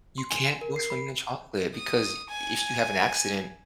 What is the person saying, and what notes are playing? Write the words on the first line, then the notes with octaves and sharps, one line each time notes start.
You can't go swimming in chocolate because if you have an accident,
C6
G#5
A#4
C7
B5
D#6
G#5